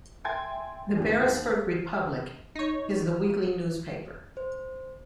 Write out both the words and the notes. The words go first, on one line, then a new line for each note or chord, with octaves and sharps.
The "Beresford Republic" is the weekly newspaper.
E5 G5 G#5 C6 G#6 A6
G1 D#2 G#2 F3 G3 G#4
D#2
D#4 C#5
C5